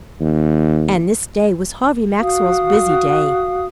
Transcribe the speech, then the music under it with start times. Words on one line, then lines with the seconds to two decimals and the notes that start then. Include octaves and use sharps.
And this day was Harvey Maxwell's busy day.
0.20 D#2
2.21 F#4 F5 D#6